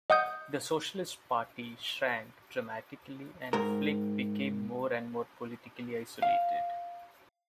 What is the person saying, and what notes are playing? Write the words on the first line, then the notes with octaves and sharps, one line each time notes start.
The Socialist Party shrank dramatically and Flyg became more and more politically isolated.
D#5 F#5 D#6 G6
G#2 A#4
F5